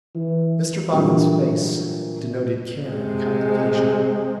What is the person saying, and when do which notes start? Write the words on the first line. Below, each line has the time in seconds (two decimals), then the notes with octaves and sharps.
Mr Boffin's face denoted Care and Complication.
0.15 E3
0.93 A#2 D3 E3 F#3 G3
2.87 C3 G#3